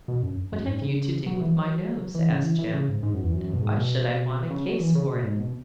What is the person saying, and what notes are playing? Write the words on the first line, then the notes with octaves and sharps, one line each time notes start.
'What have you to do with my nose?' asked Jem. 'And why should I want a case for it?'
B2
F#2
F#2
G#2
C#3
F#3
E3
F#3
E3
C#3
E3
E3
C#3
G#2
G#2
F#2
E2
F#2
B2
G#2
B2
C#3
F#3
E3
C#3
B2
G#2
B2